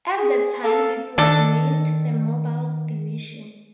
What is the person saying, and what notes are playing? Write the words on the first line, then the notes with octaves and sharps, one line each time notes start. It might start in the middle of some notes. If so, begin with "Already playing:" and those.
At the time, it was named The Mobile Division.
G#4
A4 F5
D#3 D4 A4